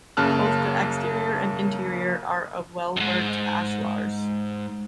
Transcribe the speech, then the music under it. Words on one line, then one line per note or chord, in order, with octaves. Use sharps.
Both the exterior and interior are of well-worked ashlars.
F#2 C#3 A#3 A5 F6 F#6
E2 G#2